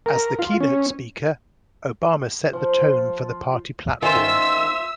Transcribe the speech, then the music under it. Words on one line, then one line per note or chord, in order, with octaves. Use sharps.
As the keynote speaker, Obama set the tone for the party platform.
A#4
F4
C#4
F3
F4
D#3 C#4 F4 C5 E5 E6